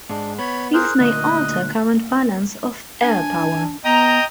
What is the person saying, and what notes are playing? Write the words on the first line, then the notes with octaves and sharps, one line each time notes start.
This may alter current balance of air power.
G#2 G#3 D4
B3 C#5 B5
G#4 A#4 C5 F#6
D2 A#2 D#5
D4 G#5
B3 D#5 G5 A#5 D#6